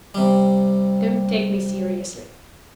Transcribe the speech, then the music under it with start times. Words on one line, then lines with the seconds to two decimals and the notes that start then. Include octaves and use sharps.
Don't take me seriously.
0.14 C3 G3